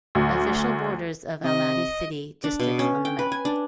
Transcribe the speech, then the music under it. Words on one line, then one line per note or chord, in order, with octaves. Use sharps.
Official borders of Almaty city districts on the map.
D2
C3 D#5
D4
B2
C#4
G5
B4
G#5
D4